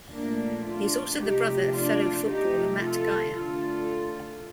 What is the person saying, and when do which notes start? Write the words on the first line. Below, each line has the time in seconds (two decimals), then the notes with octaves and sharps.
He is also the brother of fellow footballer Matt Geyer.
0.11 A#2 F3 A3 A#3 D4
0.65 D4 F4
1.19 C3 F3 A3 D#4 G4
1.72 D4 F4
2.26 C3 F3 A3 D#4 G4
2.80 F4 A4
3.34 D3 A3 F4 A4